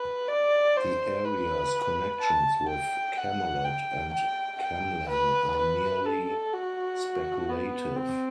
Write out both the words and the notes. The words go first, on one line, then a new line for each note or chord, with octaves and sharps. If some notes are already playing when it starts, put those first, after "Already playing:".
The area's connections with Camelot and Camlann are merely speculative.
Already playing: B4
D5
C5
B4
A5
G5
F#5
G5
G5
G5
B4
B4
A4
F#4
B3
C4